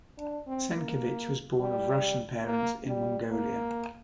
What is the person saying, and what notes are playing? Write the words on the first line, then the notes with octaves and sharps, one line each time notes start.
Senkevich was born of Russian parents in Mongolia.
D4
C4
A#3
G3
A#3
G3
A#3